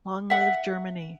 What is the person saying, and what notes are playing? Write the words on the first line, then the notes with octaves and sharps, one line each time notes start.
Long live Germany!
E5 F#5